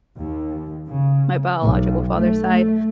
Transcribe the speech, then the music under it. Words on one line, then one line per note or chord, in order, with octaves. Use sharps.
my biological father's side.
D#2
C#3
B1
A3